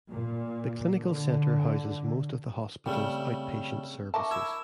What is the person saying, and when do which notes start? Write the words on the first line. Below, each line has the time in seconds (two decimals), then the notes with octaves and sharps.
The Clinical Center houses most of the hospital's outpatient services.
0.10 A#2
0.96 D3
2.86 C#3 G3 A3 C4 G5
4.14 D#3 A#4 E5 A5 C#6 D6
4.31 E4 E5 G#6